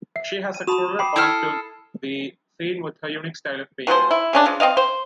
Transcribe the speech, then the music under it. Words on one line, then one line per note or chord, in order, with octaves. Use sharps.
She has exploded onto the scene with her unique style of painting.
E5 C7
D#7
F#4 A5 B5 C6 D#6 E7
G5 B5 D6 C7
E4 A4 G5 B5 E6 F6 G6 C7
B2 F3 G#3 C5
E4
C#3 C#4 D4
C#3 F3
C4 E4 D#5 F5
C5